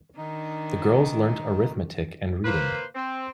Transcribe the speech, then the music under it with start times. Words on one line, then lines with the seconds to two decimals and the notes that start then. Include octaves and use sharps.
The girls learnt arithmetic and reading.
0.17 D#3 D4 D#4
2.44 A#3 B4 C5
2.95 C4